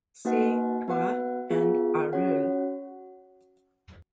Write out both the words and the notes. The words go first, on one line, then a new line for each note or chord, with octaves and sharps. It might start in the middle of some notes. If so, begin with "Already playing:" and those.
See Duat and Aaru.
A#3 D#4 F#4 B4 F#5
B3 F#4 B4 F#5
B3 F4 G#4
C#4 F#4 C#5 F#5